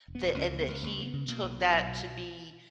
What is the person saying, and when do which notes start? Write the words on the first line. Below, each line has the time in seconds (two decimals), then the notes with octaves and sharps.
that and that he took that to be
0.08 E1
0.15 B3
0.23 E1
0.37 C#2 C#4
0.53 C#2
0.60 B3
0.68 C#2
0.83 C#2 A#3
0.98 C#3 A#3
1.06 B3
1.13 C#3
1.28 B2 A#3
1.43 B1
1.59 B2
1.74 B1
1.88 B2